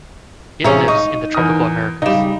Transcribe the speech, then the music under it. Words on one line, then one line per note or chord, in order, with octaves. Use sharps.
It lives in the tropical Americas.
C3 E3 C#4 G#4 E5 A#5
D#4 C#6
E2 A#4 D#6
C#3 G3 D#4 E7